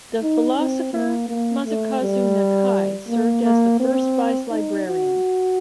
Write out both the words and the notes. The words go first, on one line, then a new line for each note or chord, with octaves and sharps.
The philosopher Masakazu Nakai served as the first Vice Librarian.
D#4
C4
A#3
A#3
A3
G3
A#3
A#3
C4
D#4
F#4